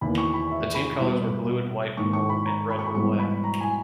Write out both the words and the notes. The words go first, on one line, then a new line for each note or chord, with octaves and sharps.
The team colors were blue and white when home, and red when away.
E2 D#3 A#3 B5
C#6
B5
E5
B5
B2 G3 B3
G#2 D#3 A#3 C#6
C#6
B5
A#5
B5
C#6
B5
G#2 E3 G3 B3 C#6
B5
A#5
G#5